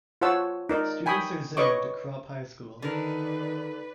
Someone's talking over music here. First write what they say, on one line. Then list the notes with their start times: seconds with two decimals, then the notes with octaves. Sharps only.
Students are zoned to Krop High School.
0.22 F4 C5 C#5 F#5 A5 E6
0.69 D#4 A#4 D5
1.06 G5 G#5 B5 C#6 D#6
1.57 B4 C#5 D#5 C#6 D6
2.82 D3 D#3 D#4 A#4 B4 D5